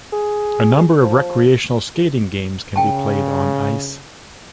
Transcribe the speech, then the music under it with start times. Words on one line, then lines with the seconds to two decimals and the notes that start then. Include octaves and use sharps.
A number of recreational skating games can be played on ice.
0.13 G#4
1.03 F3
2.76 C#3 A#4 G5 A5